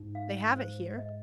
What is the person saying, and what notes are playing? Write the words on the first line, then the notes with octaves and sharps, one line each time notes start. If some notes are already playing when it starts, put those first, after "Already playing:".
They have it here.
Already playing: G#2 D#4
F5
C5
D#5